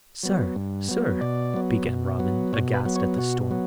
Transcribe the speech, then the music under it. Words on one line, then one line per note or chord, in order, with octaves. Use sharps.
"Sir, sir!" began Robin, aghast at this storm.
F#3 B3
G2
F#3 B3
B2 D5
F#3 B3
B2
F#3 B3
B2 C#5
B4
F#3 B3
C#5
B2 F#4
F#3 B3